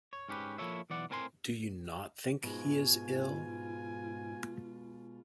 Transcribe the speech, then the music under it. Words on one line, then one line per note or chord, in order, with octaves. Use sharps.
You do not think he is ill?
C#5
G#2 C#4 G4 B4
F3 A#3 E4 A4 C#5 E5
B1 E3 D5 F#5
A2 C4 A#4 G#5 A5 C6
G#2 B2 G#3 F4 G#5